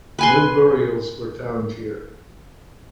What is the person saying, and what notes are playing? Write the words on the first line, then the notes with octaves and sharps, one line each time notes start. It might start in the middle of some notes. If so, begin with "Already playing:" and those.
No burials were found here.
B4 G#5 C6